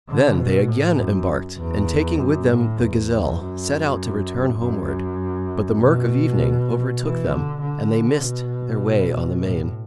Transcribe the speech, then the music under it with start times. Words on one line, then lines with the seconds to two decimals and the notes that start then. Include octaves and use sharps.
Then they again embarked and taking with them the gazelle, set out to return homeward, but the murk of evening overtook them and they missed their way on the main.
0.08 D3
0.38 B2
0.69 A2
0.98 F#2
1.59 E2
2.19 F#2
2.49 A2
2.79 E2
3.39 F#2
4.60 F#2
5.81 B2
7.01 E3
7.31 D3
7.62 D3
8.21 B2
9.42 A2